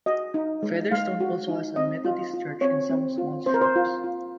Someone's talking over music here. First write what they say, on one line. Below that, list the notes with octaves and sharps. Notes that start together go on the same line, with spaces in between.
Featherstone also has a Methodist church and some small shops.
F#4 D#5
D#4
G#3
G#3 F5
F#4
D#4
C4 D#5
F4
F4
C4 C#5
C4
F4
C4 C5
A#4
C5
F4
F4